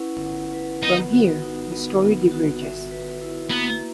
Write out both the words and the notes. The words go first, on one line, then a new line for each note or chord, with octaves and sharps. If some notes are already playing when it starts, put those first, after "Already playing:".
From here, the story diverges.
Already playing: C#4 E4 B4 F#5
F#5
B4
B3 D#4
F#4
D#4
B3
B3
F#4
E5
B4
E4
A#3 B3